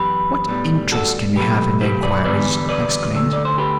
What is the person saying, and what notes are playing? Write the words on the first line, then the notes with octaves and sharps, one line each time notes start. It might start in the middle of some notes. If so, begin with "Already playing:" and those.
"What interest can you have in the inquiries?" I exclaimed.
Already playing: F#2 E3 B3 G4 B4
A2 G3 B3
F#4 A4
B2 F#3 A3 G4 B4
G4 B4
B4 D5
E2 D3 G3 B3 B4 D5
B4 D5
D2 D3 A3
D5
C5
G4 B4